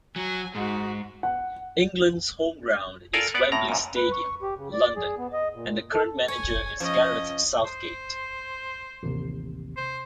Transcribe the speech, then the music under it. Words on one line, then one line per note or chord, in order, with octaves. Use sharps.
England's home ground is Wembley Stadium, London, and the current manager is Gareth Southgate.
F#3 G#5
G#2 G#3 F#4
F#5
F4 A4 A#4 D5 F5 G#5
B3 D5 F#5
A2 A#5
F#2 A#2
B4
C#6
G4
C#3
D5
G#4
B3
D#5
A#2
A4
C#5 G#5
F3 C#4 D#5
C5
A1 D#2 C3
C5